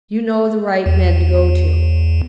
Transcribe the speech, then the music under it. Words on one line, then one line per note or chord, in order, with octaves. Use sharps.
You know the right men to go to.
E2